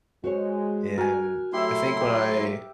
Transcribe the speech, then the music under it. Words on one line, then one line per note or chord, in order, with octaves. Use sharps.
And, I think when I
G#3 F#4 C5 C#5
F#4 A#4 G#5
F#3 A3 E4 G4 E5 C6
G4